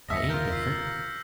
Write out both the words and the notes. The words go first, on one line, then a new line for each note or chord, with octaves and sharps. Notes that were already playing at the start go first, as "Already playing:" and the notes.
I ain't different.
F#1 D#2 D#5 E5 D#6 A#6 B6 C#7
F4 A#4 F6 G6
E6 B6 C7